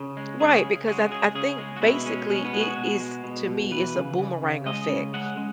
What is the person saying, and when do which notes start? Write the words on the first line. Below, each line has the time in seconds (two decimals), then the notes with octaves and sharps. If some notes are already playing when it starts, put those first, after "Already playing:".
Right, because I I think, basically, it is, to me, it's a boomerang effect.
Already playing: C#3
0.17 G#3
0.40 C#3 G#4
0.64 C#3
0.88 G#3 F#4
1.11 C#3 G#4
1.35 C#3 G#4
1.58 G#3
1.77 F#4
1.82 B2 E4
2.06 G#3 C#4
2.29 B2 C#4
2.45 B3
2.53 G#3
2.61 F#4
2.77 B2
3.00 G#3
3.24 B2
3.48 B2
3.71 E3 B4
3.95 C#3
4.18 C#3
4.43 C#3
4.66 G#3 D#5
4.90 C#3
5.14 G#3 F#5
5.37 G#3